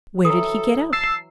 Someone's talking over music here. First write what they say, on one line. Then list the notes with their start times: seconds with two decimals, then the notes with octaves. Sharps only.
Where did he get out?
0.25 E3 F#3 A4 D#6
0.93 A5 E6 C7